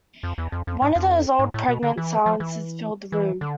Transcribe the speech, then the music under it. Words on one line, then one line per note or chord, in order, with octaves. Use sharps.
One of those old pregnant silences filled the room.
F2
E2
F2
F2
G#2
F2
G#2
A2
B2
D3
E3
F3
E3
E3
D3